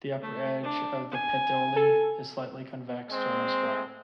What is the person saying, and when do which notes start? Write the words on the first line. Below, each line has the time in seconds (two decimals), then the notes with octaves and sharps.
The upper edge of the petiole is slightly convex to almost flat.
0.22 A3
0.64 D4
1.12 G#5
1.76 A4
3.10 G#3 C4